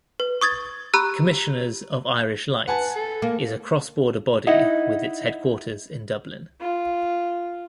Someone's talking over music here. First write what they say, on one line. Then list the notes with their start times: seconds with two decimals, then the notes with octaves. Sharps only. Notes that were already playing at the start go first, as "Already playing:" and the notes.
Commissioners of Irish Lights is a cross-border body, with its headquarters in Dublin.
0.20 B4
0.41 C#6 D#6 G#6 A6
0.94 G4 A#5 B5 E6 F#6
2.67 B4 F#5 G#5 A5
2.96 A4
3.22 A#3
4.47 D#4 E4 D#5 F#5
6.61 F4